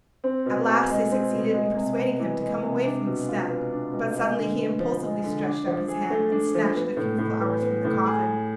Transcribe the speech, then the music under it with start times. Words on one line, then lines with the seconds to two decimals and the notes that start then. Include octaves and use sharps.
At last they succeeded in persuading him to come away from the step, but suddenly he impulsively stretched out his hand and snatched a few flowers from the coffin.
0.24 C4
0.46 B2
0.67 G#4
0.90 G#3
1.12 C4
1.32 B2
1.54 G#3
1.76 C3
1.98 B3
2.19 E3
2.41 G#3
2.62 C3
2.85 D4
3.06 B2
3.29 F4
3.49 B3
3.72 D4
3.93 B2
4.16 G#3
4.37 D3
4.58 B3
4.79 F3
5.02 G#3
5.23 D3
5.46 D4
5.66 F3
5.88 G#4
6.10 A3
6.32 D4
6.54 F3
6.76 B3
6.97 A2
7.18 A2
7.41 E3
7.62 B3
7.85 A2
8.06 G#4